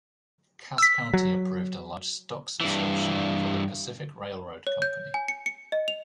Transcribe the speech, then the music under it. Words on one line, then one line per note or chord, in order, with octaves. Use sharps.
Cass County approved a large stock subscription for the Pacific Railroad Company.
E6 B6
F#3
G2 E3
C#5
G6
G#5
C#7
C#7
D#5
F7